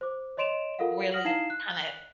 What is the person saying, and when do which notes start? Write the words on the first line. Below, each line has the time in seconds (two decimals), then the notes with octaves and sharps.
Really kinda
0.01 C5 D6
0.37 C#5 D#5 C6 D7 E7 F7
0.79 F4 A4 A#4 F5 F#5
1.12 F#5 D#6 F6 A#6 F#7
1.25 D#4 E4 F5 C7 E7
1.50 F#6